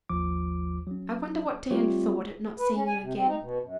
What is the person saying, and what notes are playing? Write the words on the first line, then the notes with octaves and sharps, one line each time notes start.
I wonder what Dan thought at not seeing you again?
G#1 D#2 F3 D6
F#3 C#4
G3 A3 C4 F4 G4 C#5
B4
C#4
G#5
C3
C4
D#4
B2
F#2